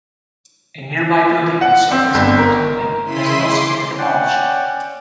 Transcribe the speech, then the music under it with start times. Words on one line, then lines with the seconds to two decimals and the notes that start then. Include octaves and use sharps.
A nearby building that served as a convent has also been demolished.
1.61 F#5
1.91 C4
2.14 G1
2.38 A#4
3.03 C#3 E4 C6 B6 D#7
3.42 C6 D6
3.98 C#4 D5 F#5 G5